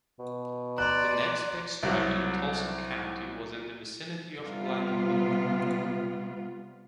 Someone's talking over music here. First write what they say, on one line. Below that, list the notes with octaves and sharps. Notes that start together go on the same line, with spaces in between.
The next big strike in Tulsa County was in the vicinity of Glenn Pool.
B2
D5 A#5 C6 F#6
C2 F#3
C3 G3 B3 F4